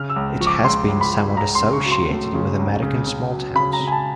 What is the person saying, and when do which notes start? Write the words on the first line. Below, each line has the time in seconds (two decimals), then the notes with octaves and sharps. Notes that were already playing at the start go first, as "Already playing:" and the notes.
It has been somewhat associated with American small towns.
Already playing: C#3 F6
0.10 E6
0.16 C#2
0.41 F3 C#6
0.47 D6
0.64 C#2 C6
0.88 C#2
1.01 B5
1.13 C#2
1.37 C#2 A#5
1.55 C6
1.61 C#3
1.73 C#6
1.86 F#3
1.92 C6
2.10 A3
2.34 C#3
2.59 C#2
2.83 C#3
3.07 C#3
3.31 F#3
3.55 C#3 B5
3.73 A#5
3.80 C#3
3.88 G#5
3.92 A5